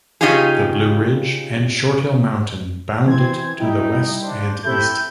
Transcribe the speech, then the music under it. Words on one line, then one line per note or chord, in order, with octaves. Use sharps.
The Blue Ridge and Short Hill Mountain bound it to the west and east.
C#3 C#4 D#4 F4 G4 G#4
E3 C4 C5 G#6
G3 D#4 E4 G5
D4 C5
C4 E4 G4 A4 G6